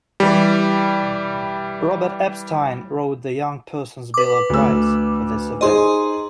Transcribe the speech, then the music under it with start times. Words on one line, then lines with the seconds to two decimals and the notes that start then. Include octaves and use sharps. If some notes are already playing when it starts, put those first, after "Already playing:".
Robert Epstein wrote The Young Person's Bill of Rights for this event.
0.20 E3 G3
4.14 B4 D6
4.50 D2 E6
5.61 D#4 G#4 C5 D#5 C6